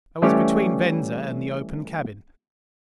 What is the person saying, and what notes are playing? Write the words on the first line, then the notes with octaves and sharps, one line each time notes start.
I was between Venza and the open cabin.
E3 G3 A3 C#4 G4 C#5